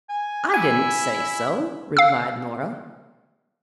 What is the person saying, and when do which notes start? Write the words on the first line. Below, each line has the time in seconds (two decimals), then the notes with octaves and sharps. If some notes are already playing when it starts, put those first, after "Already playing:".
"I didn't say so," replied Nora.
0.10 G#5
0.54 E4 G#5
1.97 F5 E6